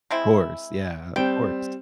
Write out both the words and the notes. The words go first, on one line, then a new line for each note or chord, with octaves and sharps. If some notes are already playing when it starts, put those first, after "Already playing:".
Of course. Yeah. Of course.
G#3 C4 E4
G3 C4 G5